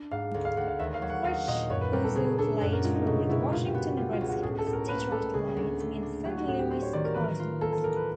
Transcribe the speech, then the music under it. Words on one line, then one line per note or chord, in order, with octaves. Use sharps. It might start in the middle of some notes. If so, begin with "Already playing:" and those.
Wyche also played for the Washington Redskins, Detroit Lions, and Saint Louis Cardinals.
Already playing: D4
G#2 F5
D2
F5
D2 F#5
F5
D#2 E5
F5
F#3
F#5
D#4 F5
A#2 D#5
F#2 C#5
B4
G3 A#4
A4
C#3 G#4
D4 A4
F#2 A4
A#4
G#3 F4
D#4
B2 D#4
B2 E4
A#2 F4
G4
B3 F#4
G3 F4
F4
C#2
F#4
A2 G#4
A4
A2
A#4
A#3 B4
G3 A4
C#3 G#4
D2
A3
D4
F#3 G4
F#4
A2 F#4
G4
C4 C5
C#5
D#3 D5
A#4
E3 B4
A#4
F4
A#3 A4
A4
A2 A#4
B4